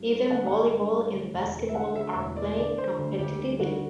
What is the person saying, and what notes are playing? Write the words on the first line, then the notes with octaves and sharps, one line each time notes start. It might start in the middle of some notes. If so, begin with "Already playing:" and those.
Even volleyball and basketball are played competitively.
Already playing: G2
A3 B4
D3 F#5
F#5
G2 G5
G2
A3
D2
E1
A3
E5
D3 F#5
D2 E5
E1
A3 D5
D3 D5
D3 C5
D2
D2 G4
G3
D3 F#4